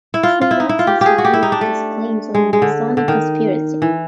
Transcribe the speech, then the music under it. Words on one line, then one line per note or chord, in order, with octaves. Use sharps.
Freemasons rebut these claims of a Masonic conspiracy.
E4
F4
F4
E4
D#4
E4
F4
G4
G4 G#4
F#4
G4
E4
D#4
D4
A3
G#3
G#3
D3
D3
D#3
E3